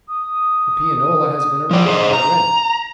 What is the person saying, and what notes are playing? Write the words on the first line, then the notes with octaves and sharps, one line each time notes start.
The pianola has been erected by Rennick.
D#6
F3 D5
G#4 C5 D#5
A#5